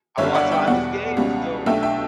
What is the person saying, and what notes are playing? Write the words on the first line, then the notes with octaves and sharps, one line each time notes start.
I watched a lot of his games though.
G1 F#2 D3 G3 D4 C#5 E5
D5 F#5
E5 G5
E2 B2 G3 D5 F#5
C#2 B2 G3 C#4
B1 B2 A3 D4 E5 G5
E5 G5